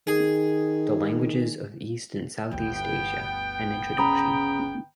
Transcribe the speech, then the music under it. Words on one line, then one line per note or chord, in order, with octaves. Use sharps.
The languages of East and Southeast Asia: an introduction.
D#3 G#4
G1 D2 B3 G5
C#3 A#5 B5 D#6